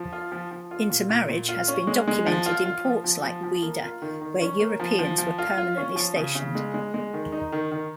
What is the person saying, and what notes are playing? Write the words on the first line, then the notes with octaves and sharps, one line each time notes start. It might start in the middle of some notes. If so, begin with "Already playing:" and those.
Intermarriage has been documented in ports like Ouidah where Europeans were permanently stationed.
Already playing: F3
F4
F3
F3
F4
A#2
A#2
A#2
F4
C#4
G#3
G#3
F3
F4
F4
F3
F3
F3
F3
A#3
F4
D#3
D#3
C#4
A#3
F3
F3
F3
F4
F4
C#4
F3
C#3
C#3
G#3
G#3
G#3
D#3
D#4
D#3
D#3